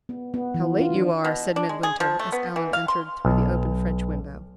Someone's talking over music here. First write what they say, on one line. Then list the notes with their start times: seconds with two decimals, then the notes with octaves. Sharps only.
"How late you are!" said Midwinter, as Allan entered through the open French window.
0.09 B3
0.34 B3
0.54 E3
0.80 F4
0.95 D4
1.25 B2
1.56 D4
1.69 G#3
1.83 G#4
2.00 F3
2.19 A3
2.32 B3
2.56 E3
2.73 F5
2.88 C6
3.25 B1